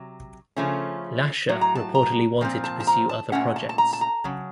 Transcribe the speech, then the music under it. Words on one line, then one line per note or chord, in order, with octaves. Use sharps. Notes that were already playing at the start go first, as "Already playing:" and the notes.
Lascher reportedly wanted to pursue other projects.
Already playing: C3 F#3
C#3 F3 A3 C#4
A2 F#3
A#5
A5
A#5
A#2 F3 C4
A5
A5
A#5
A5
A#2 A3 C#4 F#5
A5
A5
A#5
A5
A#5
C#3 F#3